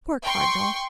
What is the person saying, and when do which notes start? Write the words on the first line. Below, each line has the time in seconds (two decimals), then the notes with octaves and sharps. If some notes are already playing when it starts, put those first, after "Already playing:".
Poor cardinal!
0.22 G5 C6 C#6